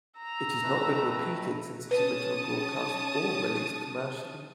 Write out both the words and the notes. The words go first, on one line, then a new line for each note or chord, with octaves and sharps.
It has not been repeated since its original broadcast or released commercially.
A#5 E6
F2 A3 B4
C#4 B4 A5 D#6